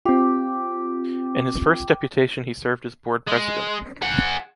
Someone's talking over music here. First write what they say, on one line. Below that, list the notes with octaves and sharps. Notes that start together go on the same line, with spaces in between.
In his first deputation he served as Board President.
C4 F4 G4
G#3
G#4 F#5